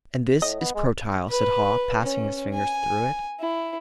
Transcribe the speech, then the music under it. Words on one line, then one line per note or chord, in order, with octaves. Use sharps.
"And this is protyle," said Haw, passing his fingers through it.
A2 D#5
B3
G#3
B4
C#4
G#5
E4